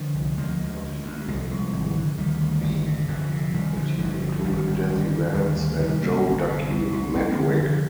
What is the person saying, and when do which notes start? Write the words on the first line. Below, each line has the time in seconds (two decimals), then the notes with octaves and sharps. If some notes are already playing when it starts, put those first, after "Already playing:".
Continuing the theme, the team included Dazzy Vance and Joe "Ducky" Medwick.
Already playing: D3 F3
0.15 C2
0.37 D2 F3 G#3
0.60 D2
0.83 D2
1.05 D2
1.28 C2 F3 G#3
1.51 C2
1.73 G#1
1.96 D3
2.18 D2 D#3 G3
2.41 D2
2.63 G1
2.86 C3
3.08 F1 D3 F3
3.31 C3
3.53 A#1 D#3 G3
3.76 A#1 D3 F3
3.98 G1 D3 F3
4.22 D3
4.44 G#1 D#3 G3
4.67 G#1
4.89 G1
5.12 D3
5.34 D2 D#3 G3
5.57 D2
5.79 C2 D#3 G3
6.02 C2 G3 A#3
6.25 G1
6.48 C3
6.70 C2
6.92 C2
7.15 F1 G#3 C4
7.30 A#3 D4
7.37 D3
7.45 D#3 G3
7.60 F1 D3 F3